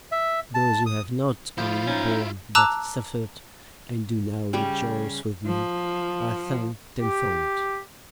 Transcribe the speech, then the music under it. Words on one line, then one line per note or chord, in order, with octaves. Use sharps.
Those who have not only borne but suffered, and do now rejoice with me, I thank tenfold.
E5
A5
D#6
F3 E4 F4
C#4 D#4
A5 A#5 D6 E6 F#6
C#3 G3 G4
F3
G4